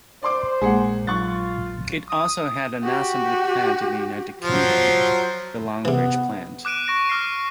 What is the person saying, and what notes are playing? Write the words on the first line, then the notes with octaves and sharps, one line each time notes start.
It also had an assembly plant in the United Kingdom, the Longbridge plant.
C5 D5 C6 D6
A#1 G#3 A#3 G#4 F#5
F#3 F4 C#6 F#6 A6
D#6
F#4 G4
F3 F#3 C5
C3 E3 B3
D6 F#6 D7 D#7
C#6 A#6 D7 D#7
D6 F6 A#6 C7